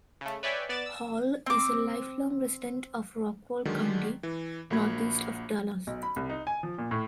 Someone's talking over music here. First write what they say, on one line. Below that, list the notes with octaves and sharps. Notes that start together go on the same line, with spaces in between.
Hall is a lifelong resident of Rockwall County, northeast of Dallas.
C#3 A3
B4 C#5 D5 E5 G5 G#5
B3 D5 A6 E7
E6
C4 D6
D3 D#3 F#3 G#3
E3
A#1 A#3 F#4 B5 G#6
B1
B5
C2
D#4
G#5
F3
A#2
A2